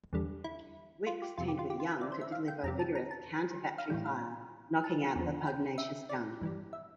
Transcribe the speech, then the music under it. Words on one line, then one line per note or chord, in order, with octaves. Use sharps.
"Wickes" teamed with "Young" to deliver vigorous counter-battery fire, knocking out the pugnacious guns.
E2 D3 G3
E4
F4
G4
F2 C3 F3 F4
G4
F4
G4
F4
E5
D5
C5
E5
F5
G5
F2 C3 G3 A#5
A5
A#5
A5
F5
A2 E3 G3 G5
F5
A5
E2 D3 F3
G5
E5
D5
G2 E3 G3
E5